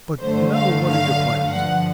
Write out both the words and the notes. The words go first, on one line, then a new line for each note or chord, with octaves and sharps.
But now what are your plans?
G2 D3 F#3 A3 C5
F5
F5
G2 D3 F3 F#5